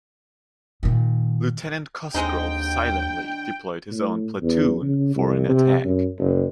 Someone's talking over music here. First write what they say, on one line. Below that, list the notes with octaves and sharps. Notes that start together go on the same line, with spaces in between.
Lieutenant Cosgrove silently deployed his own platoon for an attack.
A#2 D#3
D#2 D3 G#3 C4 D#4 G5
A2
E2
C#3
C2
C3
F#2
F#1